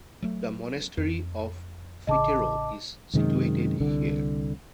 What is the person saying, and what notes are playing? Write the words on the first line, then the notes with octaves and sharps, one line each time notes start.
The Monastery of Fitero is situated here.
F#3 A3
F2
A1 C#3 D#5 A5 D6
F#2 C3 D#3 G#3
C2 D3